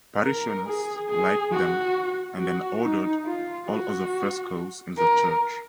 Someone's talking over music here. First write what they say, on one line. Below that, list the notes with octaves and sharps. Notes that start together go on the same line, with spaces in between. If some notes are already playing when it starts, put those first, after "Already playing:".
Parishioners liked them and then ordered all other frescoes in the church.
A#4
G#4
G#4
F#4
F#4
D#4
F4
F#4
A#4